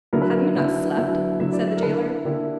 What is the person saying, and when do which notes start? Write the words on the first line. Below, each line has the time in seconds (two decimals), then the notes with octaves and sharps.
"Have you not slept?" said the jailer.
0.13 D3 F#3 B3 E4 A#4
0.22 B4
0.30 A#4
0.56 D3 F#3 B3 E4
0.97 D3 F#3 B3 E4
1.40 D3 F#3 B3 E4 E5
1.53 D5
1.68 E5
1.77 A#4
1.83 D3 A#3 E4 B4
2.25 D3 A#3 E4 G4